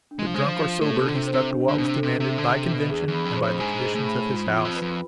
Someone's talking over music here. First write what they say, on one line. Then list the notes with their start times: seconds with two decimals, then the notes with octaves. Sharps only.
But, drunk or sober, he stuck to what was demanded by convention and by the traditions of his house.
0.11 D4
0.19 G#3
0.26 F3
0.34 G#3 C5
0.46 F3
0.57 F4
0.80 A2 A4
0.98 B2
1.04 D3 D4
1.15 C3
1.27 C5
1.34 C3
1.51 D4
1.68 D3
1.74 B2 D4
1.85 C3
1.97 A4
2.03 C3
2.20 C3 E5
2.38 D3
2.43 D4
2.56 C3
2.66 D4
2.72 B2
2.90 E2 G#4
3.08 E2
3.13 B5
3.25 F2
3.37 C5
3.42 F2
3.60 G#2 G#5
3.83 G#4
3.95 A2
4.07 B5
4.29 G#2 F4
4.47 F2
4.53 E2 F4
4.65 F2
4.76 B4
4.82 F2